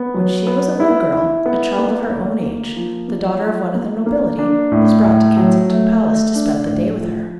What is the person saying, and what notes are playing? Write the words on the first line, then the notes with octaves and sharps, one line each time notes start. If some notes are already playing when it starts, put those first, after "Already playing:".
When she was a little girl, a child of her own age, the daughter of one of the nobility, was brought to Kensington Palace to spend the day with her.
Already playing: B3
F#3
B3
E4
E4
B3
A#3
A#3
A#3
F3
A#3
F3
A#3
A#3
D4
A2
A2
F#3
A3
A3
D4
A2
F3